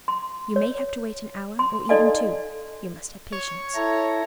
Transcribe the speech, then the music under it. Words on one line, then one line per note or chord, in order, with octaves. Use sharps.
You may have to wait an hour, or even two; you must have patience.
C6
C#5
C6
D#4 A4 D5 D#5 F5 G#5
C#5
E4 A4 A#5